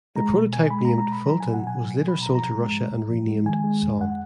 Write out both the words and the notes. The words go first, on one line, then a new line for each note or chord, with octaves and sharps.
The prototype, named "Fulton", was later sold to Russia, and renamed "Som".
G#3 A#5
B2
B2 G#5
G#3 B5
A#5
G#3
A#5
B2 B5
F#3 A#5
B2 G#5
F#5
B2
G#5
F#3
F#3
B5
B2 A#5
F3 A#5
G#3
G#2
G#2
F3
G#3
D#3 G#5
G#3
F2
F#5